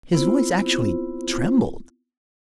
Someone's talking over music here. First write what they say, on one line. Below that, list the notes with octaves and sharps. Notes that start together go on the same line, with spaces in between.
His voice actually trembled.
B3 C4 E4 F4 C5